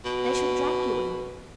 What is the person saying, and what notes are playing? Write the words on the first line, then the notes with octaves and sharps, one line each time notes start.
"They shall drag you in."
B2